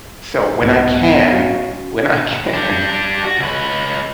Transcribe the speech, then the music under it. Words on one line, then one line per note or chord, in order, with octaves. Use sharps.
So, when I can when I can,
C2 G#2 B3
C#4 F#4 F5
G3 D4
F#4
C#2 B4